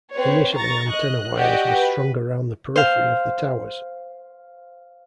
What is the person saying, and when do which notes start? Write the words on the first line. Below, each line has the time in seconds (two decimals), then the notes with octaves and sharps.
Initially antenna wires were strung around the periphery of the towers.
0.13 C4 B4 C#5
0.54 A#5 C#6 A6
0.89 D#5 F#6
1.37 F#4 G4 D5 D#5 F#5 G5
1.76 B4
2.76 C5 F5